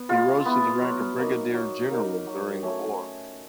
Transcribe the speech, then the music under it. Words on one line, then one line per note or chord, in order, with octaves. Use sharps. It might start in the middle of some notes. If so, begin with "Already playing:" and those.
He rose to the rank of Brigadier General during the war.
Already playing: B3
G#3 F4
B3 E4
F#3
A#3 D#4
F#3
A#3 D#4
F#3
A3 C#4